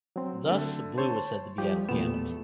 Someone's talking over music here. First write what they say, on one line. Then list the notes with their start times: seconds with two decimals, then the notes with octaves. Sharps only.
Thus, blue is said to be out of gamut.
0.16 F#3 C4
0.47 D3 A3
0.98 C5 C#5 A5
1.58 F3 G3 G4
1.89 E2 A#2 A3 B3 E7